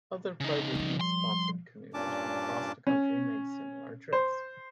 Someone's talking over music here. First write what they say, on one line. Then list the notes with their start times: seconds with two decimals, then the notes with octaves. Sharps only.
Other privately sponsored canoes from across the country made similar trips.
0.40 C#3 D#4
0.75 F3 G3
1.01 C6
1.94 G2 A#2 C#4 D4 A5 D6
2.87 C#4
4.13 C5